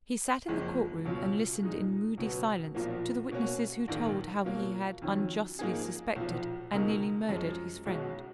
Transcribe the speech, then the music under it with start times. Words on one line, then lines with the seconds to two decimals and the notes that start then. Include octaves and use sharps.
He sat in the court-room and listened in moody silence to the witnesses who told how he had unjustly suspected and nearly murdered his friend.
0.48 F#1 F2 F3 G#3
1.05 C#2 B2 F#3 C#4 F4
1.62 A#2 G#3 D#4
2.17 C#2 B2 F#3 B3
2.75 B1 A#2 F3 A#3
3.31 B2 A#3 C#4 F#4
3.88 A#1 G#2 D#3 A#3
4.45 B2 F#3 A#3 F4
5.02 F2 D#3 F#3 C#4
5.59 G#2 F3 A#3 D#4 G#4
6.16 B1 A#2 F3
6.72 C#2 B2 G#3 D#4 A#4
7.29 F#2 F3 G#3
7.86 B1 B2 G#3 C#4 F#4